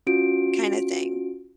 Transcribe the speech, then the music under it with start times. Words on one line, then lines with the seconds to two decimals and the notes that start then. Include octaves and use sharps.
kinda thing.
0.07 C#4 F4 F#4 D7